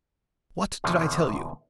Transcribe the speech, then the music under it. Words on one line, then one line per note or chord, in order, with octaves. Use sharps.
"What did I tell you?"
E2 B2 D3 D#3 F3